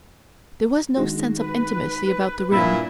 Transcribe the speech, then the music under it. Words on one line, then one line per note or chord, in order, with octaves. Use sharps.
There was no sense of intimacy about the room.
D#3 G#3 F#4
B4
G2 A#2 E4